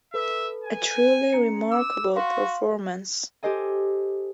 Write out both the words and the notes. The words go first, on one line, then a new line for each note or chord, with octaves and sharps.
A truly remarkable performance.
A4 B4 E5
G#5
C#4 A#5 C#7
D6 E6
F#4 F5 C6
G4 A4 C5 D#5 G#5